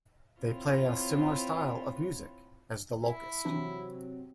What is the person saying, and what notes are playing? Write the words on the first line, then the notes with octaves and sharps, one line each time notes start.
They play a similar style of music as The Locust.
C4 E4 F4 C#5
E4
C3 E3 F#3 C4 D4